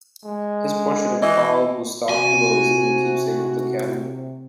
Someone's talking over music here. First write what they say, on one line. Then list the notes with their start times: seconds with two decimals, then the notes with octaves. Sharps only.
His portrait of Carl Gustaf Pilo is in the keepsake of the Academy.
0.25 G#3
1.22 E3 D#5
2.09 C3 F#4 G#5